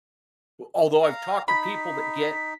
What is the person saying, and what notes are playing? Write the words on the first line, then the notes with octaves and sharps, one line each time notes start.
although I've talked to people that get
F5 A#5
D#4 B5 B6